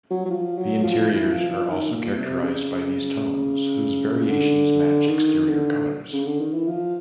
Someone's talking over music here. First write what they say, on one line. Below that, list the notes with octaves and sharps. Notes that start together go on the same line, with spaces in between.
The interiors are also characterized by these tones whose variations match exterior colors.
F#3
F#3
F3
F#3
F3
E3
F3
F3
D#3
A#2
C3
C#3
D3
D#3
D3
C#3
D3
D#3
E3
F3